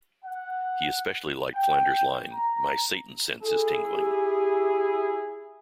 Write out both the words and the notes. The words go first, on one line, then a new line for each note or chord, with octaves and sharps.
He especially liked Flanders' line My Satan sense is tingling.
F#5
G5
A#5
E4 G#4 A4
G4